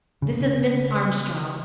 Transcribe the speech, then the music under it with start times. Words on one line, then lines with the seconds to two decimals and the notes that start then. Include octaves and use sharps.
This is Miss Armstrong.
0.22 C#3